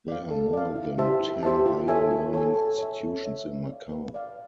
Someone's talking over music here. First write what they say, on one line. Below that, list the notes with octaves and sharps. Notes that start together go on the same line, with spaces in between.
There are more than ten higher-learning institutions in Macau.
D5 F5
A4
D5 F5
E4
G4 C5 E5 A5
E4
G4 C5 E5 A5
F4
A4 C#5 E5 G#5
F4
A4 C#5 E5 G#5
A4
C#5 E5
A4
C#5 E5
B4
D5 F5
B4
D5 F5